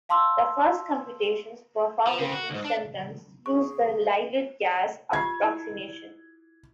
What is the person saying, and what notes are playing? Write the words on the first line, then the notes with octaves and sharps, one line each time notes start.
The first computations performed with instantons used the dilute gas approximation.
F5 A5 C6 D6 E6
F3
C#3 C4
F#4
C#2 G#2
D4
G#4 C#6
F4 G4 G#6 C7
E4